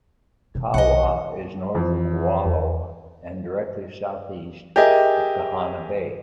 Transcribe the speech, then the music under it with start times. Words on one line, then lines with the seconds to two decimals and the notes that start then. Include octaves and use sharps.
Kaaawa is north of Kualoa and directly southeast of Kahana Bay.
0.55 B2 E3
0.74 B1 D#5 F#5
1.75 F2 E3
2.46 E2
4.76 G4 G#4 A#4 D#5 E5 G#5